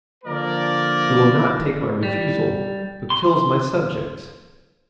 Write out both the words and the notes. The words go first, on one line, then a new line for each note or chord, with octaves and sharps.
He will not take my refusal, but kills my subjects.
D3 F3 A#3 A#4 D5
G3
C6